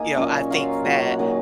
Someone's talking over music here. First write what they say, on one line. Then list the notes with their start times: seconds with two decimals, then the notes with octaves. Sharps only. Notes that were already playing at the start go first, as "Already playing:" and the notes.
you know, I think that,
Already playing: A#3 D#4 G#5 A#5
0.17 A#2 F#3 C#4
0.50 F#3 A#3 F4 F5
0.85 F#3 C#4 F4
1.13 F#5
1.19 D#3 F#3 A#3 F5